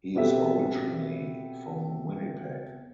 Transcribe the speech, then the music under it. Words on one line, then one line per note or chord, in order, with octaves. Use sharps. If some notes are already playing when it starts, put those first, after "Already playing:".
He is originally from Winnipeg.
B2 B3 C4 G4 A4 E5